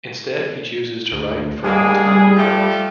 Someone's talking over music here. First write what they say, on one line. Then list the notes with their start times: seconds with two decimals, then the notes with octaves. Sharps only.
Instead, he chooses to write from multiple viewpoints.
1.12 D2
1.64 D2 G3 G#3 A#3 G#4
2.36 F3 A3 G4